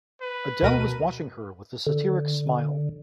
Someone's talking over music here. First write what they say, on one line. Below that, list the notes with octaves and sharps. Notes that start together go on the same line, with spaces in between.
Adele was watching her with a satiric smile.
B4
D2 B2 A#4 D#7
D3